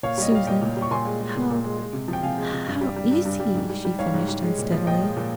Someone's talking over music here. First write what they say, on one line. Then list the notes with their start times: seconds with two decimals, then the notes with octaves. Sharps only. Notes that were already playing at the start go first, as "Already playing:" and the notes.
"Susan, how--how IS he?" she finished unsteadily.
0.03 A#2 C#5 F5
0.18 G3 D#5
0.32 G3 F5
0.47 A#2 D#5 G5
0.62 A#2
0.77 G3
0.82 C#6
0.91 A#2 G#5 C6
1.05 G#3
1.21 G#3
1.36 A#2
1.50 A#2
1.65 G#3
1.79 G#3
1.93 C3
2.08 F3
2.13 G5
2.23 C3 F5 G#5
2.38 G#3
2.52 C3
2.67 G2
2.81 G3
2.96 G3
3.11 G2
3.25 G2
3.40 G3
3.54 G#2
3.70 G3
3.85 G3
3.99 G#2 C#5 F5
4.14 G#2
4.28 G3
4.43 G#3
4.58 A#2
4.72 F3
4.86 A#2 D#5 G5
5.01 G#3
5.16 A#2